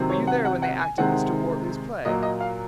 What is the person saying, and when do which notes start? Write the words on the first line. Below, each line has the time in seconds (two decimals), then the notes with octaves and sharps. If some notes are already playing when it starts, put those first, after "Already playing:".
Were you there when they acted Mr. Wortley's play?
Already playing: C3 D#3 F#3 C4
0.10 C#5
0.27 F#5
0.45 F#5
0.62 F#5
0.80 G#5
0.98 C3 D#3 G#3 C4 F#5
2.05 A#2 F#3 A#3 D#5
2.23 D#5
2.41 F5